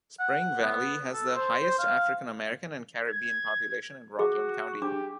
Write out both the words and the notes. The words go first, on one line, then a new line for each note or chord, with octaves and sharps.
Spring Valley has the highest African American and Caribbean population in Rockland County.
F#5
B3
A4
C5
C5
F5
G#6
F#4 G#4
D4 G4 D6